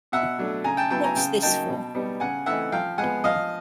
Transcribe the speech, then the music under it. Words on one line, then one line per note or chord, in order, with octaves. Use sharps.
What's this for?
B2 E5 F#5
F#3 A3 D4
C#3 G#5 A#5
G5 A5
F#3 B3 E4 G5 A5
G#5 A#5
C#3 G5 A5
F#3 A#3 D#4 G5 A5
B2
G3 B3 D#4
C#3 F#5 G#5
E3 A3 C4 D#4 E5 F#5
F3 F5 G5
G#3 B3 F#5 G#5
F3 D#5 F5